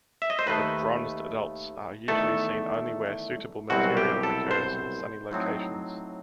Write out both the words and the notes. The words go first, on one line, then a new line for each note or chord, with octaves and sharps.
The bronzed adults are usually seen only where suitable material occurs in sunny locations.
E5
D#5
C5
D#2 D#3 A3 B4
E2 D#3 A3 A4
C2 B2 F#3 C4 F#4
G4
A4
C5
A2 F#3 C4 D#4